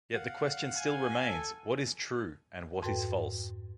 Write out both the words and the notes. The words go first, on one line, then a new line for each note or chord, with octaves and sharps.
Yet the question still remains: What is true, and what is false?
F5 F#5
G#5
A4
F2 G#2 F#4 A4 B4 G5